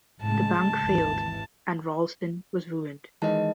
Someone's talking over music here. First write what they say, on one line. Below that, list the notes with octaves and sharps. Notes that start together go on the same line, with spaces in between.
The bank failed, and Ralston was ruined.
A2 C#3 G#3 A5
G#1 D#2 E3
D#3 E3 G#3 D#5 A5